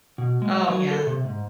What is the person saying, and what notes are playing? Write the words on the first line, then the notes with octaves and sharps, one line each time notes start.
Oh, yeah.
B2
G#3
F#3
A4
C3
G#2